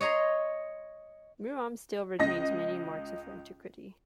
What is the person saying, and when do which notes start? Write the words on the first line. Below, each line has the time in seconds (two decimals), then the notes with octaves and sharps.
Murom still retains many marks of antiquity.
0.01 C#5 D#5 A#5 C6
2.19 C#2 D#5 A#6